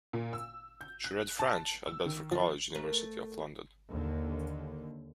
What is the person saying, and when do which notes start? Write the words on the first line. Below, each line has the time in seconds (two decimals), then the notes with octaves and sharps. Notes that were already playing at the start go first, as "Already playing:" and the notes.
She read French at Bedford College, University of London.
0.13 A#2
0.33 E6
0.81 G6
1.04 F#6
1.39 A5
1.86 E6
2.06 D#3
2.31 F3
2.75 A3 A#4 B4
3.89 D#2 D3